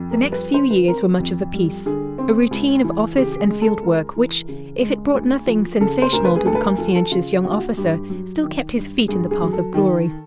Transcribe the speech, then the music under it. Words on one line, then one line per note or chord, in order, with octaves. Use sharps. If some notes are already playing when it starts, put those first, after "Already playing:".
The next few years were much of a piece--a routine of office and field work which, if it brought nothing sensational to the conscientious young officer, still kept his feet in the path of glory.
Already playing: F2
A#4
G3
B4
D3 C5
B4
C4 A#4
F2
G3
D3 G#4
C4
C#2
E3
C#3 G4
G4
G#4
G#3
A4
C#2 A#4
E3
C#3
G#3
D2
F3
C#3 A4
C5
D2 A#4
B4
G#4
D2 A4
B4
A#4
F3 A4
A4
C#3 F4
D2 F#4
F4
F#4
G2 G4
F#3
D#3
G2
G2 G#4
G#4
F#3
A4
D#3